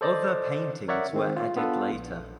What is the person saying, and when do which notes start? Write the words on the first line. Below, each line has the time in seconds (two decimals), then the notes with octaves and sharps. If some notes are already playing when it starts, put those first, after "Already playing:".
Other paintings were added later.
0.01 A4 C5 D5 D#5
0.88 A#4 C#5 D5 E5 F#5
1.13 D#3 G#3 C4
1.36 F4
1.57 B3 D4 F4 A4 B4
1.93 A#1